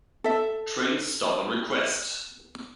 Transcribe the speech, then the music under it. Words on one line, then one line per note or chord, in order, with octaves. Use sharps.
Trains stop on request.
A4 E5